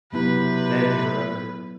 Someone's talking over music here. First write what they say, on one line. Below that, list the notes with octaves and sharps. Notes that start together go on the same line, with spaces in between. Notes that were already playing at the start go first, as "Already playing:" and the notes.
Then he remembered.
C3 F#3 B3 E4 B4